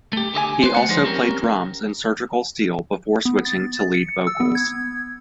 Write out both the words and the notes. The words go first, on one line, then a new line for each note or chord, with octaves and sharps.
He also played drums in Surgical Steel before switching to lead vocals.
A3 G4
D3 G4 D#5 G#5
B4 C5
A3 F#5
F3 G3 G#3 D#4 C5
C4 C#4 G4 A#4
B3
A6
C#7
E6
B3
G#6